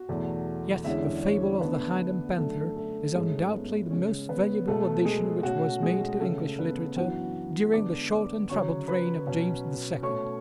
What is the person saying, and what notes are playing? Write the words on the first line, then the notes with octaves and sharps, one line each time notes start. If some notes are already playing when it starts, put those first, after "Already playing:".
Yet the Fable of the Hind and Panther is undoubtedly the most valuable addition which was made to English literature during the short and troubled reign of James the Second.
Already playing: F#4 F#5
E2 B2 F#3 A3
E2 D3 G#3 C#4 E4 E5
C#4 C#5
D3 A3 B3 D4 B4
F#2 D3 A3 D4 A4
A3 A4
G#2 F#3 G#3 A3 C#4 G#4
B3 B4
C#3 G#3 C#4 C#5
B3 B4
B2 F#3 A3 B3 A4
G#3 G#4
B2 A3 C#4 F#4
G#3 G#4
C#3 G#3 A3 C#4 A4
B3 B4
F#2 E3 B3 D4 F#4 F#5
D3 G#3 B3 D4 D5 D6
D5 D6
C#3 F#3 C#4 C#5 C#6
B4 B5
B2 F#3 C#4
B2 A3 C#4 C#5 C#6